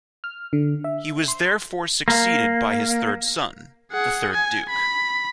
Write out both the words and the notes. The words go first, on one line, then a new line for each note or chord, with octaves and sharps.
He was therefore succeeded by his third son, the third Duke.
F6
D3
E5
C6
A#3
G#4 F#5
G#5
B5